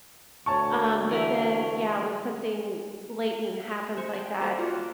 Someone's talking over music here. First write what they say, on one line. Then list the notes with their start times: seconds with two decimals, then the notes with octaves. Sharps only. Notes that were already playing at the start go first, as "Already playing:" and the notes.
um, but then, yeah, when something blatant happens like that,
0.46 D2 C#5 A5 C#6
1.11 E3 A#4 E5
3.97 C5 C#6
4.14 G5 A5
4.40 A#3 A4 C5 G5
4.58 F4 F#4 A#5
4.75 C5 D6